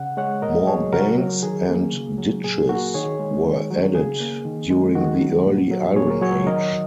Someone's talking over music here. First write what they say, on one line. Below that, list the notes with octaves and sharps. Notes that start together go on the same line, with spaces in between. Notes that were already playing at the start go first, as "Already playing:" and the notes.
More banks and ditches were added during the early Iron Age.
Already playing: C#3 F#5
G#3 C#5 F#5
A#2 A#4 D#5
F#3 G#4 C#5
C#3 F#4 A#4
F#3
D#3 G#4
A#3
C#3
F#3
A#2 G#4
A#3 F#4 A#4
D#3 G#4 C#5
G#3
D#3
F#3
C#3 G#4
A#3
D#3
G#3
D#3 F#4
F#3
A#2
F#3
A#2 G#4 C#5
A#4
F#3 G#4 C#5
D#3 A#4 D#5